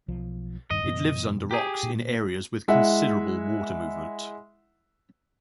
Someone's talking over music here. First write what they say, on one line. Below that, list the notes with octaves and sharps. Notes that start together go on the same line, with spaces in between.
It lives under rocks in areas with considerable water movement.
B1 F3
D#1 G2 D#3 D#5
F#2 B2 E3
G4 G#4
A#2
G#3 E4 E5 F#5